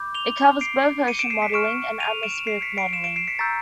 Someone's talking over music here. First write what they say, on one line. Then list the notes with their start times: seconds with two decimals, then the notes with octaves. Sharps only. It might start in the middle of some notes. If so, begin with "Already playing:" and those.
It covers both Ocean modelling and Atmospheric Modelling.
Already playing: B5 D6 G6
0.15 F7 G7
0.61 C7 D7
1.07 C#7 D#7
1.19 D7 E7
1.30 C7 D7
1.42 B6 C#7
1.53 C#6 F6 D7 E7
2.00 D#7 F7
2.23 D7 E7
2.47 C7 D7
2.62 B6 C#7
2.78 C7 D7
2.93 D7 E7
3.04 D7 E7
3.16 C7 D7
3.28 B6 C#7
3.39 A#5 C#6 E6 G6 A6 B6